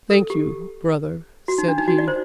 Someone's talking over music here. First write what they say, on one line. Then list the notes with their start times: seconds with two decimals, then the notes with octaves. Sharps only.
"Thank you, brother," said he.
0.10 A4
0.30 G4
1.48 F#4
1.58 D#4
1.68 D4
1.78 D#4
1.88 F#4
1.98 D5
2.08 C5